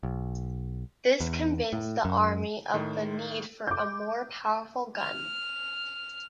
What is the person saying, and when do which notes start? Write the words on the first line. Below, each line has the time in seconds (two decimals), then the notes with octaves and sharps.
This convinced the army of the need for a more powerful gun.
0.03 B1
1.20 E2
1.73 A2
2.05 F#2
2.74 A2 D#3
3.67 D6 G6
4.97 F6